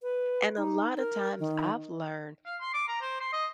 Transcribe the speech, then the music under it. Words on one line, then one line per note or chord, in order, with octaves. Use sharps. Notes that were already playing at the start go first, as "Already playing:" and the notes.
and a lotta times I've learned
B4
D#4
A#4
D#3
F5
C6
D6
A#5
C5
C6
D#5